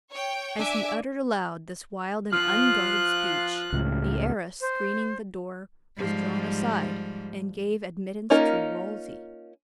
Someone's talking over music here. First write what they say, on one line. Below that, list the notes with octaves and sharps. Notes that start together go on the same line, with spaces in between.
As he uttered aloud this wild and unguarded speech, the arras screening the door was drawn aside, and gave admittance to Wolsey.
C#5 G5
D4 E5 G#5 D6
F3 F4 F6 F#6
C#2 A2
C5
G#2 F3 G3
A#3 C#4 D#4 F4 A#4